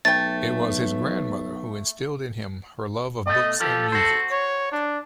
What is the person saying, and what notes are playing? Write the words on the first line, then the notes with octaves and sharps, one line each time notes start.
It was his grandmother who instilled in him her love of books and music.
B1 A3 G5 A6
B2 A3 D#5
F3 F4 G4 A4
F#4 C5
C#5
D4